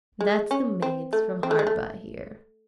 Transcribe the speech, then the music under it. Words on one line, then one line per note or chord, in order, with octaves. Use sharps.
"That's the maids from hard by here."
G#3
C#4
C4
A3
C4
A3
G#3
A3